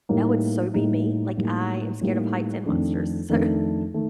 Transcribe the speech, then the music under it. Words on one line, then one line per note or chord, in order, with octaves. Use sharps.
that would so be me, like, I am scared of heights and monsters, so
A2 G3 A#3 D#4
A2 G3 A#3 D#4
A2 G3 A#3 D#4
A2 G3 A#3 D#4
F2 D#3 A3 D4
F2 D#3 A3 D4
D#3 A3